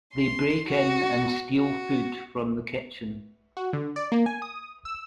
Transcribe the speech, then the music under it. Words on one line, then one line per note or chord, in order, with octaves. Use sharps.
They break in and steal food from the kitchen.
C6
F#4
F#4
F#4
D3
D5
A#3
G#5
D#6
E6